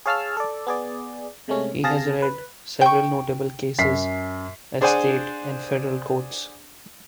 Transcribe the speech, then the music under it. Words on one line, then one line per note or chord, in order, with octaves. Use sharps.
He had led several notable cases at state and federal courts.
G#4 C#5 F5 A5 E6 F6
A4 D5
B3 G#4 D5
C3 G#3 A3 C#4
C3 G#4 F5 A5 A#6
B4
G5 C#6
F#2 B6 C7
D4 G#4 C5 D5 F#5 G#5